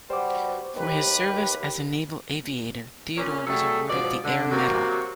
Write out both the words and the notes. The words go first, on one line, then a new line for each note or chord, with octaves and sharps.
For his service as a naval aviator, Theodore was awarded the Air Medal.
G3 F#4 B4 C5 D6
D#2 G4 B4
A#2 C#4
F#3 G3 A3 G#4 A4
G#2 B2 F3 F#3 D5
D3
C3 F#3 A#3 F#4